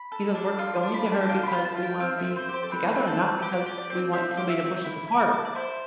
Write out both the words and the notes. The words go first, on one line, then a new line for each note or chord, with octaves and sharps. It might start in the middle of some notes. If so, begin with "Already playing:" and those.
He says, "We're going to her because we wanna be together, not because we want somebody to push us apart."
Already playing: B5
A4
D4
F4 C6
C6
D4
B5
D4
A5
F4 G5
C6
B5
F4
A5
F4 F5
G5
C4 F5
E5
C4
C5
G4
C5
A4
C4 B4
B4
C4
A4
C4
G4 B4
D5
G4
D5
C4
C4 E5
F5
G4
E5
C4
E4
E4
A4
D5
E4 C5